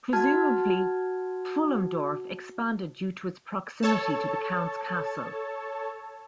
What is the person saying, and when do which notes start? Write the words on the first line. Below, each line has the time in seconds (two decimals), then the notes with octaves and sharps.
Presumably, Pfullendorf expanded due to its proximity to the counts' castle.
0.13 F#4 A5 F6 G#6
3.83 A4 C#5 A5